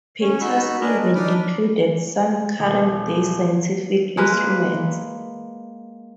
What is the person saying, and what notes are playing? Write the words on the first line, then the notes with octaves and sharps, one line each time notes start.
Peters even included some current-day scientific instruments.
C#4 C#5
D#4 F#4 B5 E6 F#6
D4 G#4 A#4 B4 D#5
D#5
D4 D#4 B5 D6 D#6 F6
E1
G#3 A#3 B4